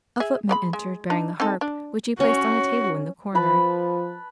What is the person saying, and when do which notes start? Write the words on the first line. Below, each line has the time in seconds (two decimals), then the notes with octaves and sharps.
A footman entered, bearing the harp, which he placed on a table in the corner.
0.20 G#4 E5
0.49 G#3 D5 B5
0.73 G#3
1.10 D4 D#4
1.40 C4 D#4 A4
1.61 D4
2.20 C#4 F#4
3.35 F3 B4 A5 B5